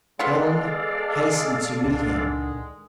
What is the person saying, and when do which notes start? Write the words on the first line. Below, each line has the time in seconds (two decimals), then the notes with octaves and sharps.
Helen hastened to meet him.
0.19 G#3 B3 F4 A4 D5 F5 F#5
1.84 C#2 A#2 D3 D#3 G#3 D4